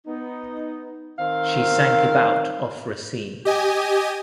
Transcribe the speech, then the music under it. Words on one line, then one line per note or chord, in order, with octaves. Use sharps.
She sank about off Racine.
B3 D#4
D#3 C4 A#4 F5
G4 D#5 G#5